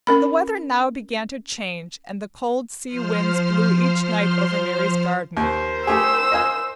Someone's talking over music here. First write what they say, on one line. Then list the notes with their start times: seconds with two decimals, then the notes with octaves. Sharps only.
The weather now began to change, and the cold sea winds blew each night over Mary's garden.
0.07 C#4 A#4 B5
2.87 F3 C5 C6 F6
5.37 D#2 A#4 C5
5.87 A3 G4 G#4 E6
6.32 D#5 F5 G#5